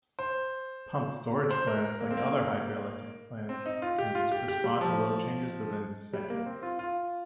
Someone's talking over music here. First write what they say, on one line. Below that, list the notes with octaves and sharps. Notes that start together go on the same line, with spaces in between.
Pumped storage plants, like other hydroelectric plants, can respond to load changes within seconds.
C5
C5
A#4
A#4
A#3
C4
A#3
C4
D#4
F4
G4
F4
G4
G4
G3
F3
G3
A#3
C4
F4
F4